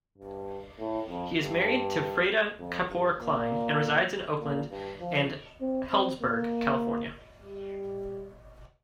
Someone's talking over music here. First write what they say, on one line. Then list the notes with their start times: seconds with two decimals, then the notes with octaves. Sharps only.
He is married to Freada Kapor Klein and resides in Oakland and Healdsburg, California.
0.18 G2
0.79 A2
1.08 F2
1.39 G2
2.59 F2
2.90 G2
3.20 A#2
4.40 A#2
4.70 G2
5.00 F3
5.61 C4
5.91 C4
6.21 A#3
7.42 G3